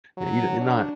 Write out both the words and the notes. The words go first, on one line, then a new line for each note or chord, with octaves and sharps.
you you're not
F#3
D4